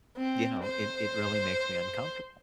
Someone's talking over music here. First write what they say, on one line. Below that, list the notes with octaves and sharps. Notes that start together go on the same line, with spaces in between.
you know, "it it really makes me uncomfortable."
C4
C5